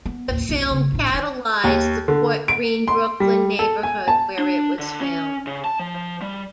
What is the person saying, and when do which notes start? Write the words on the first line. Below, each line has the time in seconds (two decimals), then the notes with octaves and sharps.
The film catalyzed the Fort Greene, Brooklyn neighborhood where it was filmed.
0.06 B3
0.28 A1 D#2
0.49 B1 F2
0.71 D#1 C#3
0.92 A1 D4
1.12 D#3 D#4
1.64 D#2
2.08 D3
2.48 D7
2.88 C6
3.20 G3
3.59 A4
3.83 G#5
4.08 A5
4.38 D4
4.79 D3
5.01 C#4
5.47 C#3
5.64 A5
5.79 F3
6.22 G3